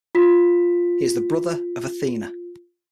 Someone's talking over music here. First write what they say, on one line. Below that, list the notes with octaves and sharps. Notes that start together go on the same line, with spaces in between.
He is the brother of Athena.
F4 B6